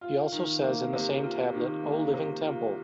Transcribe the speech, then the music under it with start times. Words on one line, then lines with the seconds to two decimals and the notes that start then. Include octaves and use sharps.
He also says in the same Tablet:O Living Temple!
0.01 F4
0.32 D#3
0.63 A#3
0.93 C3
1.23 F4
1.53 D#3
1.84 A#3
2.14 C3
2.45 F4